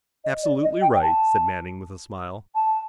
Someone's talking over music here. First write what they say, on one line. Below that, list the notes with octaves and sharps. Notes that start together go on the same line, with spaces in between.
"Absolutely right," said Manning with a smile.
D#5
D5
D#5
G5
G5
A5
A5